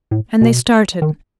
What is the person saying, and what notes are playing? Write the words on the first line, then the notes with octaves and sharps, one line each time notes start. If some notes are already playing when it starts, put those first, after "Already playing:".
And they started.
A2
B2
D#3